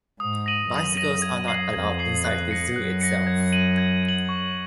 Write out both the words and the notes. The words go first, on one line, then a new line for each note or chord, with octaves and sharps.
Bicycles are not allowed inside the zoo itself.
G#2 D#6
A#6 D#7 F#7
F#2 D#6
A#6 D#7 F#7
G#6
C7 F#7
F2 G#6
C7 F#7
F#6
A#6 C#7
F#2 F#6
A#6 C#7
G#6
D#7 F#7
G#6
D#7
F#7
C#6